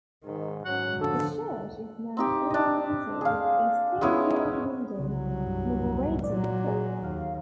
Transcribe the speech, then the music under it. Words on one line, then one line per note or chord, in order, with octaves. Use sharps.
The church is now ornamented with a stained-glass window commemorating Cook.
G#2 D#3
G#2 F#3 C#4 F#5
D3 F3 A4
C4 D#4 G4
D4 D#5
G#4 F5
G#3 B3 C#4 E4
C2 C#3 F#3
G2
A#2 F#3 D5
G#4
D#2 F5